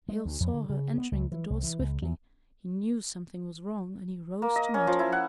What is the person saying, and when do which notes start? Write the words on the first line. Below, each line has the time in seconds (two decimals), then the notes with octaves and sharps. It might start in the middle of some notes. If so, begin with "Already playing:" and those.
Hale saw her entering the door swiftly, he knew something was wrong and he rose to meet her.
0.09 G#3
0.25 D2
0.40 F2
0.54 D3
0.69 C#3
0.98 B3
1.12 C#2
1.32 E3
1.50 C2
1.63 E3
1.79 C#2
2.02 E2
4.42 A#3
4.56 D#5
4.74 C#4
4.87 F3
4.99 E4
5.12 F#5